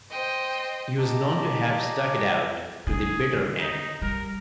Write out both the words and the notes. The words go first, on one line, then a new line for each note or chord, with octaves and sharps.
He was known to have stuck it out to the bitter end.
C5 D#5 G5
G4 D#5 A5 A#5 D6
D3 G#4
D#4
G3 A#4